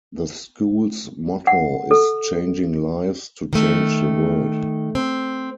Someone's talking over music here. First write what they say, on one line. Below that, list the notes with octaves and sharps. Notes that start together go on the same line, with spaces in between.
The school's motto is "Changing Lives to Change the World".
F#5
A4
D#3 A3
C4